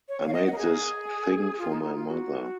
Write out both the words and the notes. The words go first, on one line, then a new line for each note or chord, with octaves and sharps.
I made this thing for my mother.
C#5
C#5
F5
D#5
F#5
A#4
G#4
F4
D#4
D#4
F4
F#4